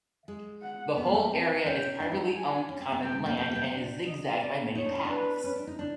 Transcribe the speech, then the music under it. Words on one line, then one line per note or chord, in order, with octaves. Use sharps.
The whole area is privately owned common land and is zigzagged by many paths.
G#3
F#5
B3
A#3
A3
A#3
C4
C#4 G5
D4
D#4
G#5
C#4
C4
B3
A3 G5
G#3
A#3
A3 G5
A#3
B3
C4
D4
D#5
D5
D#4 C#5
D4
C#4
D4 B4
C#4
D4
D#4
D4